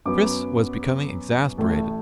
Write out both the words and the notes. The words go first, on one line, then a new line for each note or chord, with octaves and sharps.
Chris was becoming exasperated.
F#2 F#3 B3 D6
A1 A2 A3